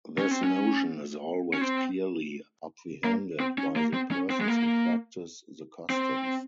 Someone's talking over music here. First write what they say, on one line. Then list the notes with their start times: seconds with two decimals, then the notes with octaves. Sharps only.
This notion is always clearly apprehended by the persons who practice the customs.
0.18 C#4
0.31 C4
0.44 C#4
1.54 C#4
1.61 C4
3.04 A#3
3.40 C4
3.58 C#4
3.76 A#3
3.94 C4
4.11 C#4
4.30 C4
4.41 G#3
4.48 A#3
5.90 C4